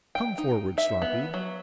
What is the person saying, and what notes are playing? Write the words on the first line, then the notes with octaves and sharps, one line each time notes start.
'Come forward, Sloppy.
G5
D#4
E5
B3
F#3